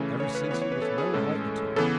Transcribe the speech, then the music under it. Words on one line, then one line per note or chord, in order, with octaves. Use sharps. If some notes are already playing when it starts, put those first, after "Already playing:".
"Ever since he was--no height at all."
Already playing: C#3 E3 A3 C#4
C#5
B4
E3 B3 C#5
C#5
B4
A4
G#4
A2 G#3 C#4 A4
C#3 E3 B3 A4